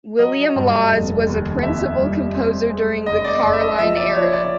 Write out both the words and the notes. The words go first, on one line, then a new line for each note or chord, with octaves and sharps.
William Lawes was a principal composer during the Caroline era.
F#3 D#5
G2
F1
D#2
F2 E5
G3
C4
G#3
F#1 D#5
D5
F#1
E5
D#5
F3 E5
D5
F3 C#5
D5